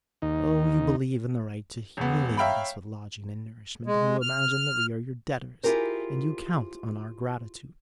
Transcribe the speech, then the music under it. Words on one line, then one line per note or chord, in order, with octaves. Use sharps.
Oh, you believe in the right to humiliate us with lodging and nourishment, and you imagine that we are your debtors, and you count on our gratitude!
D#2 D#4
E1 B3
C#5 E5 F5 G5 A#5 B5
G#3
F6
E4 F4 G4 G#4 A#4 C5